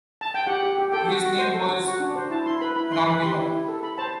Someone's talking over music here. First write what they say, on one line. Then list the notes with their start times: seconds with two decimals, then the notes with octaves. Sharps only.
His original name was Ramadevan.
0.21 A5
0.34 G5
0.47 G4 F#5
0.63 G4
0.78 G4
0.92 A4 G5
1.08 F#4
1.23 F#4
1.39 C5
1.54 A4
1.69 F#4
1.85 F#4
2.00 D4
2.16 C5
2.30 E4 A5
2.46 E4 C6
2.61 B4 B5
2.76 E4 B5
2.91 E4 C6
3.07 B4 B5
3.22 G4 C6
3.37 E4
3.52 E4
3.68 A4
3.83 A4 B5
3.98 C5 A5